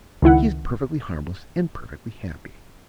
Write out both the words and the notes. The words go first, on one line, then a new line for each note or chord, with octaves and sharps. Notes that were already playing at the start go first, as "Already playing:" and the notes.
He is perfectly harmless, and perfectly happy.
C#2 D#3 E4 F#5